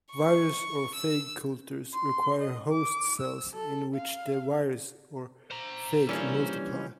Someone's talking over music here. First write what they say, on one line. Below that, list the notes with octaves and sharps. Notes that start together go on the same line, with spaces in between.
Virus or phage cultures require host cells in which the virus or phage multiply.
C#6
E6
C6
D#5
D6
E6
A4
F5
C5 A#5
E3 F3 G3 A#3 C#4 D4